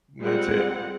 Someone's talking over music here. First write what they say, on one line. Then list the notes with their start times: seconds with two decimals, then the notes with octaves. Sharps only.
That's it.
0.21 G3 G#3 C4 F4 F#5